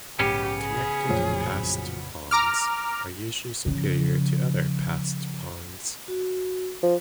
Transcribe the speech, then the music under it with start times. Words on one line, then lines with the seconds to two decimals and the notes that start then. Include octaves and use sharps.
Connected passed pawns are usually superior to other passed pawns.
0.19 A#1 G#2 C#3 B3 C#4 G4
0.62 G#4
1.09 A1 F2 A#2 F3 F#3 A3
2.31 A#5 D6 F6
3.66 C#3 F3
6.08 F#4
6.83 F3